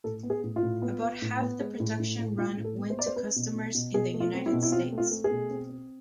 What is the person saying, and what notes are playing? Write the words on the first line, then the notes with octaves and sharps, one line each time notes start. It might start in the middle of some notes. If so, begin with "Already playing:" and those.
About half the production run went to customers in the United States.
A2 A4
B3
G#4
A2
F4
A2
B3
B3
A2
B3
G#3
A2
A2
A2
A2 F4
A2
A4
B3
C5
B3 D5
C5
C4 B4
B2
B2
B2
B2 G#4
A3
F4
C4
E4
B2
E4
C4 F4
A3
F4
A3
G#4
B2
C4
C4